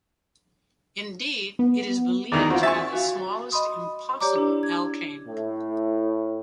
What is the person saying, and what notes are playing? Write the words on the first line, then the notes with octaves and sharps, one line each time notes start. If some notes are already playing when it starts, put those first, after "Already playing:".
Indeed, it is believed to be the smallest "impossible" alkane.
B3
E2 D#3 E3 D5
C4 F4 F#4
E5 G#5 C#6 A6
F#4 F5
D#5 B5 C6 D#6
G4 C#5 D5 A#5 D6
D4 E4
G#6
A2